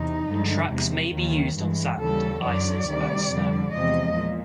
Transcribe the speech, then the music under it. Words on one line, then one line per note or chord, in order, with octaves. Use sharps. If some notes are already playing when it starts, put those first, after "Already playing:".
Tracks may be used on sand, ices and snow.
Already playing: E2 C3 D#4
G2 D3 F3 G#3
E2 C3 F3
D#2 D#3 F#3
G2 E3 G#3
D#2 C#3 E3 G3 A4
F#2 D3 F#3 D5
D2 C3 D#3 G3
F2 D3 G3
E2 C3 F3 G#3 D#5
A#2